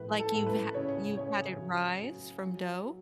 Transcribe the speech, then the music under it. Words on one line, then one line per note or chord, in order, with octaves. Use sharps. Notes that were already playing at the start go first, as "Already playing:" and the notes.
Like, you've ha you've had it rise from dough?
Already playing: A2 F3 B4
A4
A2
B4
C#3 C#5
C#3 C#5
F#3
F#3
F#3
F#3